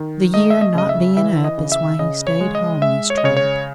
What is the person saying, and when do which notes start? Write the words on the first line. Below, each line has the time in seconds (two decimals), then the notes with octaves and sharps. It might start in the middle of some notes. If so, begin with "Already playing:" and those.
The year not bein' up is why he stayed home this trip.
Already playing: D#3
0.34 A3 D#5
0.50 E5
0.61 D#5
0.75 C#3 D#5
0.89 E5
1.17 E3 E5
1.44 D#5
1.58 C#3
1.72 E5
1.99 C#3 D#5
2.27 C#5
2.41 G#3
2.55 D#5
2.82 G#3 E5
3.10 C#5
3.18 D#5
3.24 C#3 C#5
3.37 C#5